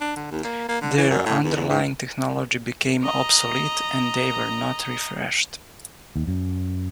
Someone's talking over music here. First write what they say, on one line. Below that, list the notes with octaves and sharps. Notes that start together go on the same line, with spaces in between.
Their underlying technology became obsolete and they were not refreshed.
D4
D3
D#2
A#3
A#3
D3
E3
F#2
A2
E2
E2
G#2
D#5 A#5
D#2
F#2